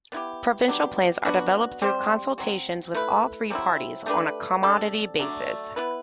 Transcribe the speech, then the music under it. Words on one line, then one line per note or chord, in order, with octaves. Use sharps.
Provincial plans are developed through consultations with all three parties on a commodity basis.
B3 E4 G4
F#3 B3 D4 G4
F#3 B3 D4 F#4
G3 C4 G4 C5
F#3 C4 F#4
A3 E4 B4
C3 F#3 C4 E4
A3 D4 G4 B4
C3 G3 D4 A4
D3 F#3 A3 D4
B3 E4 B4